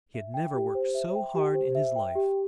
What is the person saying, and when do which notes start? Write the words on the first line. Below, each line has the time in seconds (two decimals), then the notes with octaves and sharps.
He had never worked so hard in his life.
0.14 E5
0.34 G5
0.54 G4
0.75 C5
0.94 E5
1.15 G5
1.35 G4
1.55 C5
1.75 E5
1.96 G5
2.15 G4